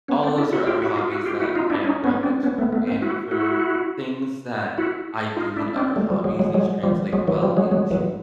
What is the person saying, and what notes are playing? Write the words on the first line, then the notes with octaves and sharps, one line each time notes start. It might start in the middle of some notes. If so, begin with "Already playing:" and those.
all of those are other hobbies that I am grounded to, and for things that I do in other hobbies, these translate well into
B3 C#4
C4 D4
D4 E4
E4 F#4
F4 G4
E4 F#4
D#4 F4
E4 F#4
F4 G4
E4 F#4
D#4 F4
D4 E4
C#4 D#4
B3 C#4
C4 D4
B3 C#4
A3 B3
A3 B3
A#3 C4
E4 F#4
E4 F#4
E4 F#4
D#4 F4
D4 E4
C4 D4
G3 A3
F3 G3
F#3 G#3
F#3 G#3
F#3 G#3
F3 G3
F#3 G#3
E3 F#3
F3 G3
F#3 G#3
F#3 G#3
E3 F#3